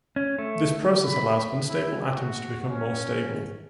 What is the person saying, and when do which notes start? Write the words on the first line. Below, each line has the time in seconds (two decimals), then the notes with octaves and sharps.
This process allows unstable atoms to become more stable.
0.16 C#4
0.38 A3
1.04 B5
1.67 E4
2.13 F#4
2.69 C#4